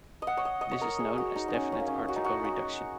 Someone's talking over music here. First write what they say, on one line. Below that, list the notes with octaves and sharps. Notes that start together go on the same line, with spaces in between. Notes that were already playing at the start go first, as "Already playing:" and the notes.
This is known as definite article reduction.
D#5
F#5
C#5
D#5
D#5
C#5
A#4
G#4
F#4
D#4
D#4
C#4
C#4
A#3
C#4
F#4
D#4
F#4
F#4